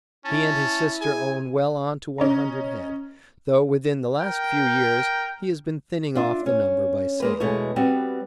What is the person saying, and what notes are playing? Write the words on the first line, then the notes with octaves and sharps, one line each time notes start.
He and his sister own well on to one hundred head, though within the last few years he has been thinning off the number by sale.
C#4 E4 A5
G#4 G#5
C#4 D#5 A#5
A#4 G5
D4 F4 E5
C#4
G#3 A#3 B4
E2 B2 G#3 A3 C#5
G3 B3 C4 F#4